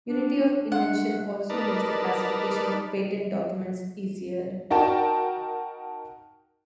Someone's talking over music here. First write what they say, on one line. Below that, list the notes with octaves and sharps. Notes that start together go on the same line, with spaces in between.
Unity of invention also makes the classification of patent documents easier.
D4
A3 D4 F#5 C6
D#4 A#4 B4 D5 A5
D#4 F#4 A#4 G5 A5